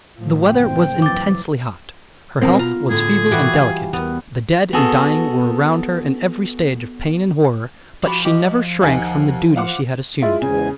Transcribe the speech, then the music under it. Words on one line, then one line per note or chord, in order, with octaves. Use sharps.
The weather was intensely hot; her health was feeble and delicate; the dead and dying were around her in every stage of pain and horror; but she never shrank from the duty she had assumed.
A2 F3
F#1 C4 G5
E3 F#3 D6 A6
B2 C4 A#4 C5
F4 A#5
A2 D3 G#4
E3 G3 F#4
F5 G#5
E2 B3
B3 F#4 G#4 A4
F3 F#4 G4 B5
F#4 G4 D#5
D#2 D#4 F#5 G#5 A5
F4 C5 F5 F#5 D6
G#3 E4 F4
E2 G#2 C#3 G#5